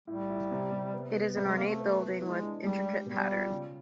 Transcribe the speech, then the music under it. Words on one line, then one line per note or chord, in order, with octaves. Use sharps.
It is an ornate building with intricate pattern.
A2 G3
E4
C3
C3
B3
B3
C3 G3
G#3
A#3 C4
A3
B3
B3
E3 G#3
D4
G3 G#3
G4
B2 G3
F4
C#3